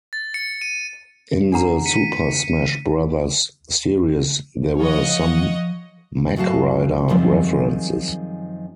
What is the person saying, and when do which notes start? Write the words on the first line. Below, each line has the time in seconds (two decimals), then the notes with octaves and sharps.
In the "Super Smash Brothers series" there were some Mach Rider references.
0.13 A6
0.34 C#7
0.61 D#7
1.52 D4 F#5 A#5
1.86 B6 C#7 D#7
4.79 F3 C#5 D#5 F#5
6.36 F#2 A2 F#4 F5 A5
7.09 F#2 D#3 F3 G3 G#3 C4